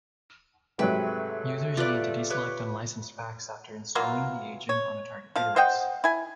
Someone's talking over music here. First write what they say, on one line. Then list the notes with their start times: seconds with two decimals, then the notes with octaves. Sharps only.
Users need to de-select unlicensed packs after installing the agent on a target database.
0.79 G#2 C3 F#3 A3 B4 G5
1.77 F4 G4 B4 D5
2.30 G4 B4 C#5
3.95 E3 F#3 A#3 F4
4.69 C#5
5.36 F3 F5
5.56 C5 D#5 F#5 G5
6.04 E4 G#5